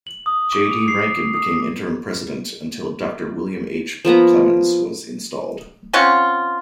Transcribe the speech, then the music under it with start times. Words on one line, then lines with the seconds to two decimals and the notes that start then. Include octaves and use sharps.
J. D. Rankin became interim president until Doctor William H. Plemmons was installed.
0.07 F#7
0.26 D#6
0.53 D6
0.71 F7
0.88 C7
1.34 D#6
4.05 F3 A#3 B3 A#5
5.93 C4 C#4 F4 F#5